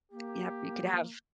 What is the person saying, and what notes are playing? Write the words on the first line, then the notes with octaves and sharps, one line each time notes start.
yep, you could have
A#3 G4